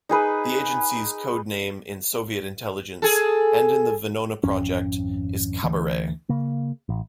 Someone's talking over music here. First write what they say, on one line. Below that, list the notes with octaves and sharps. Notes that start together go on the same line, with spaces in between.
The agency's code name in Soviet intelligence and in the Venona project is "Cabaret".
D#4 G#4 B4
G#4 A4
G#1 F2 C#4
D2 E3
C#3 A#3
A1